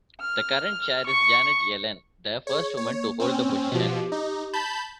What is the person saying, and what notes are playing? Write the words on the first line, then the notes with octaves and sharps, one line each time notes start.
The current chair is Janet Yellen, the first woman to hold the position.
F6
C#6
G#4 C#5
A#3 C#5
C4 C#4
B2 F3 G4
D#4
A5 B5 G6